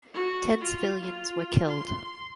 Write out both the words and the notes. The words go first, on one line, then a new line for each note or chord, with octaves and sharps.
Ten civilians were killed.
F#4
F4
F4
C6